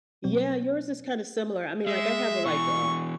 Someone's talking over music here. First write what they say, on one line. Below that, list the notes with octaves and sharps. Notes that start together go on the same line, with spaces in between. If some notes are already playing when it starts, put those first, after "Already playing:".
Yeah, yours is kinda similar. I mean, like, I have a like, uh
B2 F#3 C4
G#3 E5
B2 E3 C#6